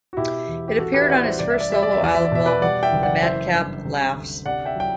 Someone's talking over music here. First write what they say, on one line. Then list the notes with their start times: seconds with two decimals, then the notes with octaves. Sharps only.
It appeared on his first solo album, "The Madcap Laughs".
0.13 F#4
0.17 B2 E4 G4
0.48 E2
0.68 G4
0.78 A1 F#4 A4
0.93 G4 B4
1.01 E5
1.09 A1 D5 F#5
1.24 C5 E5
1.39 C2 D5
1.50 E5
1.61 D5
1.70 G3 E5
1.83 D5
1.93 E5
2.01 E2 D5
2.15 E5
2.25 D5
2.32 B2 E5
2.46 B4 D5
2.62 G3 D5 F#5
2.83 E5 G5
2.92 F#1
3.03 D5 F#5
3.23 E3 C5 E5
3.54 G2
3.85 C3
4.15 D2
4.45 C3 D5 F#5
4.65 E5 G5
4.76 F#3 G5